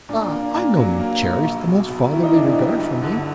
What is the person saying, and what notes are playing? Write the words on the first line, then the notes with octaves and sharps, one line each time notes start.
I know you cherish the most fatherly regard for me.
A#2 D4
A#3
D4
A#2
F#3 D4
A#3
A#1
B1
B2
B1
D#3 E4
D#4
F#1 D4
D#4
G3
G1
D3